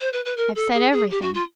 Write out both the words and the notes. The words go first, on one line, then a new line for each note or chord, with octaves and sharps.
I've said everything....
C5
B4
B4
A#4
A4
G#4
G#4
G4
F#4
F4